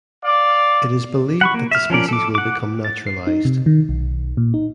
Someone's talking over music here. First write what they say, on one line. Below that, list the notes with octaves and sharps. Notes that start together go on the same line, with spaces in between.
It is believed that the species will become naturalized.
D5 F5 D6
F#5 B5 C#6
A#3
E5 F6
F3 C#4 A#4 D5
A4 D6
F#5 D6
A6
C7
D#4
C3
D#3
B1
A#2
D#4